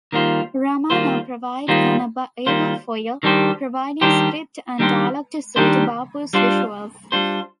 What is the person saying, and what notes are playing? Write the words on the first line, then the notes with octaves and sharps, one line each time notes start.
Ramana provided an able foil, providing script and dialogue to suit Bapu's visuals.
D#3 G3 A#3 F4 C5
D#3 G3 A#3 F4 C5
D#3 G3 A#3 F4 C5
D#3 G3 A#3 F4 C5
D#3 G3 D4 G4 C5
D#3 G3 D4 G4 C5
D#3 G3 D4 G4 C5
D#3 G3 D4 G4 C5
G3 D4 F4 C5
G3 D4 F4 C5